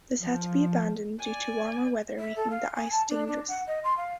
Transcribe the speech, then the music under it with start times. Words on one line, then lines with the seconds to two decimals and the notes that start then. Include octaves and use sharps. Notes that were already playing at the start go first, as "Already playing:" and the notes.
This had to be abandoned due to warmer weather making the ice dangerous.
0.21 F3
1.20 D5 G#5
2.19 E5
2.36 A4
2.50 F5
2.75 G#5
2.91 A5
3.09 D4
3.27 D4
3.49 F#5
3.67 D#5
3.84 C6
3.97 F5